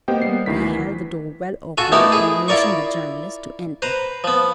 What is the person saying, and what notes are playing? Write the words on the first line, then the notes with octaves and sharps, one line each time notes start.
He held the door well open, and motioned the journalist to enter.
A#3 B3 G4 C5 D#5 G5
G3 B3 C7
D2 D#3 E4 B6
E3
F4 F#4 A4 G#5 C#6
A3 B3 D#4 E4 G4 A#4
E4 G#4
E4 F4 A#4 D5 C#6
B4 C5 A#5
F3 B3